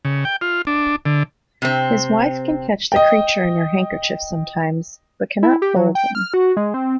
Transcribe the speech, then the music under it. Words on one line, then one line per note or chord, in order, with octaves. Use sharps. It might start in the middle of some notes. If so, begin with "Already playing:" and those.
His wife can catch the creature in her handkerchief sometimes, but cannot hold him.
C#3
G5
F4
D4
D3
C3 C4
D#5 G5
E4
G4
F#3
G5
F6
F#4
G#3
C4